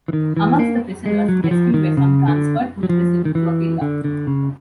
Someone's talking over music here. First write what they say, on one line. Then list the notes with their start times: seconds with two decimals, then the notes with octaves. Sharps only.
Amongst the prisoners rescued were some transferred from the prison flotilla.
0.08 E3
0.13 D#3
0.37 E3
0.59 A#3
1.06 G#3
1.29 F#3
1.44 E3
1.51 F3
1.74 D#3
1.97 C#3
2.28 D3
2.83 F#3
2.89 F3
3.25 D#3
3.35 E3
3.81 D3
4.04 D3
4.27 C#3